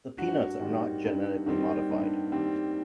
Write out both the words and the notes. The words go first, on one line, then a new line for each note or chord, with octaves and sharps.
The peanuts are not genetically modified.
G2 F#4
D#3 G3 C4
G2
D#3 G3 C4
G2
D#3 G3 C4